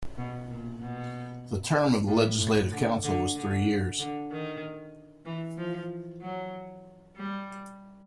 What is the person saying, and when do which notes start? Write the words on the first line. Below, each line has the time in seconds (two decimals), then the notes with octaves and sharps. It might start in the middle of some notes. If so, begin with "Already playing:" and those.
The term of the legislative council was three years.
0.18 B2
0.50 A#2
0.81 B2
2.08 A2
2.40 A2
2.72 D3
3.03 D3
3.35 D3
3.99 D3
4.31 D#3
5.25 E3
5.57 F3
6.21 F#3
7.16 G3